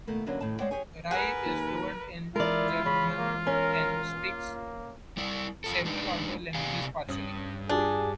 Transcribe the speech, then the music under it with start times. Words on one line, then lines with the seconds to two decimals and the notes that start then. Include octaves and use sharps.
Rae is fluent in German and speaks several other languages partially.
0.07 B2 D#3 A3 A#3
0.26 D3 F#3 A#3 B3 C#4 D4
0.41 A2 D#3 A5
0.58 G#3 C4 C#5 D5 F#5 G5
0.71 G4 G#4 C#5 G#5
1.11 G#4 A#4 B4 F#5 G#5
1.45 D#2
2.36 E3 G#3 E4 F4 A#4 D5
2.86 C#3 B5
3.17 A#3
3.47 C#4 A#4
4.14 A#3
5.17 G3 E4 D5
5.64 F#2 F4 A4
5.85 G#3 D4 D#4 B4
6.54 C3 G4 D5 F5 G#5
7.08 G2 C#4 D#6 F#7
7.69 D4 F4 G4 G#4